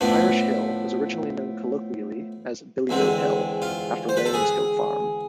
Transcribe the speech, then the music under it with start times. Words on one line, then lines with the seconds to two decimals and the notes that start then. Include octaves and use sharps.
Irish Hill was originally known colloquially as "Billy Goat Hill" after Whalen's goat farm.
0.01 A2 F3 B3 D4
2.89 E2 D3 G#3 C4
3.62 F4
4.09 C5
4.17 B4
4.25 A4
4.34 G#4